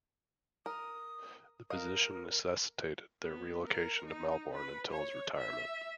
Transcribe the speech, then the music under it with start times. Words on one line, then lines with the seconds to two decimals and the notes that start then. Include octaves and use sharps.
The position necessitated their relocation to Melbourne until his retirement.
0.66 A#4 D#6
1.70 A#4 D#5 F5
3.23 B3
3.66 A#4
4.06 D#4
4.54 B4
4.91 C#5
5.37 E5